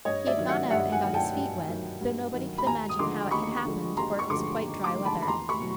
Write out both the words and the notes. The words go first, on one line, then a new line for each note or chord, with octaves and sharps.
He had gone out and got his feet wet; though nobody could imagine how it had happened, for it was quite dry weather.
G2 C#5 D#5
D5 E5
D#3 F#3
E5 F#5
G2 E5 F#5
F#5 G#5
D#3 F#3
G5 A5
G2
D#3 F#3
G2
D#3 F#3
B5
D#2 G#5 A#5
D#6
D3 F3 G#3 C6 D6
D#2 B5 C#6
D3 F3 G#3
D#2 A#5 C6
C#6
D3 F3 G#3 C6 D6
D#2
C6 D6
D3 F3 G#3
A5 B5
B5
E2 A#5 C6
B5 C#6
B2 F#3